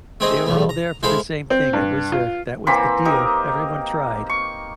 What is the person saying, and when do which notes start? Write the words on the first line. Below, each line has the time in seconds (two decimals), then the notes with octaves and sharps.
they were all there for the same thing. It was, uh, that was the deal. Everyone tried.
0.20 A3 C4 D#4 G#4 D#5
0.46 B1 E2 A3
0.69 A#5
1.03 G#3 E4 A4 C5 F5
1.50 C4
1.73 G2
2.12 F4
2.67 E3 A#3 C4 B5
3.05 D#4 G4 A#4
4.29 C#6